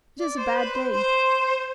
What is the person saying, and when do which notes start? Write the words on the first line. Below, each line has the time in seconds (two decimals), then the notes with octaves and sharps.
'It is a bad day.
0.18 D5
0.37 C5
0.55 B4
0.74 C5
0.92 C5